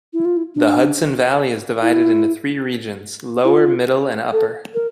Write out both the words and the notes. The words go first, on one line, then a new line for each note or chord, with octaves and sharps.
The Hudson Valley is divided into three regions: Lower, Middle, and Upper.
E4
F4
E4
D4
E4
E4
F4
A4
A#4